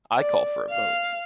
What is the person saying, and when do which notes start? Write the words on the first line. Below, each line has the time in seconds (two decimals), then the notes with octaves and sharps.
I call for a vote.
0.18 D5
0.70 F5